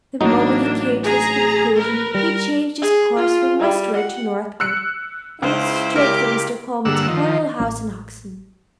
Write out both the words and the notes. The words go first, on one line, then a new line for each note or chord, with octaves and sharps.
The moment he came to this conclusion, he changed his course from westward to northward, and went straight for Mr. Coleman's poor little house in Hoxton.
A1 A2 F#3 A#3 D4 D#4
G#4 A#5
A#4 B4
G3 A#4
G#4
F4
G3
F#5
E6 F#6 C#7
C#2 E4 C5
G4 A#4 D6
G2 D3 A#3 F#5 E6
D#3 F3
A1